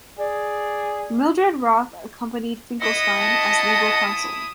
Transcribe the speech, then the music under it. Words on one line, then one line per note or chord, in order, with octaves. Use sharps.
Mildred Roth accompanied Finkelstein as legal counsel.
G#4 D5
E4 D#5 F#5 D#6
A5